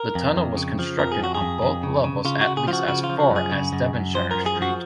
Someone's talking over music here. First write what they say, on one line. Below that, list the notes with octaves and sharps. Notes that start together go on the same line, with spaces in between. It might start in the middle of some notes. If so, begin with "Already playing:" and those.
The tunnel was constructed on both levels at least as far as Devonshire Street.
Already playing: A#4
F2
F2
C#3
F3
F2 A#4
G#4
F2 F#4
G#4
F2
F2
C#3
C#3
C#3 F4
F#4
C#3
G#4
F3 F4
F#4
C#3 F#4
F4
F3
F#4
F#2
G#4
C#3
F#2
F#2
F3 C5
F#2 A#4
G#4
F3
F#4